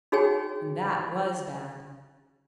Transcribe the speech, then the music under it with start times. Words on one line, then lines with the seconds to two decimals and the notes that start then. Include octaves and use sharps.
And that was bad.
0.12 D#4 F#4 G#4 C#5 G5 G#5